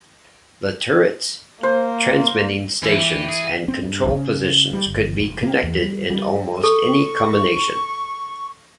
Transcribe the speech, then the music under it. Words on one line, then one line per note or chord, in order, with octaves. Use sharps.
The turrets, transmitting stations, and control positions could be connected in almost any combination.
A#3 C5
F2 E3
G4
G#4
C4
G2
C#3
G3
G1
F1
A#3
E2
G3
G3
A4 C#6